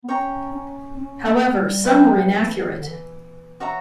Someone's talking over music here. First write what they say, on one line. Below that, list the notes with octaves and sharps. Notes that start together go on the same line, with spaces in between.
However, some are inaccurate.
B3
C#4 C#5 G5 A#5
C#4
C#4
A#3
A#3
G3
F#3 B4 E5 G5
F#3
E3
E3
D3
E3
F#4 C#5 E5 A#5